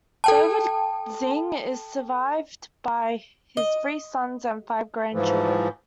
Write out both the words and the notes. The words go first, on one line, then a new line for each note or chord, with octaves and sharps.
David Zingg is survived by his three sons and five grandchildren.
A4 G5 A5
D#5
G#2 E3 F3